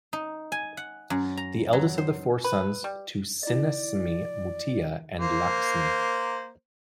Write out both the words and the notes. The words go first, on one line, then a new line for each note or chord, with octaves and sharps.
The eldest of the four sons to Sinnasamy Muttiah and Lakshmi.
D#4
G#5
F#5
F#2
A#5
F#3
C5
B4
G3
E4 D5 D#5
A#3 C5